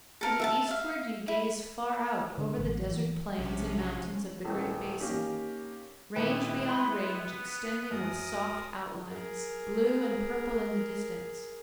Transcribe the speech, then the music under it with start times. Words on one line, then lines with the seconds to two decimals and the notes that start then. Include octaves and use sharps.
To the eastward you gaze far out over the desert plains and mountains of the "Great Basin," range beyond range extending with soft outlines, blue and purple in the distance.
0.21 A4 A#4 F5
0.40 E5 F#5 A5
0.68 E5 F5
1.28 E4
2.38 D3
2.58 A1
2.91 E3
3.37 A#1 C3 F3 C#4
4.45 D#1 A1 C#4
5.00 A#3 C#4 D#4 G4
6.16 A#2 D#3 G#3 B3 E4 B4 G5
6.69 B5 C6
7.91 F#2 A#4 D#6
9.06 G#4 A#4